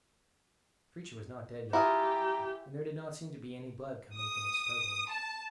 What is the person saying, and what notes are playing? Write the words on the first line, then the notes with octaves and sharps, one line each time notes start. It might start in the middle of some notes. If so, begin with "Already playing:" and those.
The creature was not dead yet, and there did not seem to be any blood coming from its spout-holes.
E4 F4 G4 G#4 A#5
D#6
A5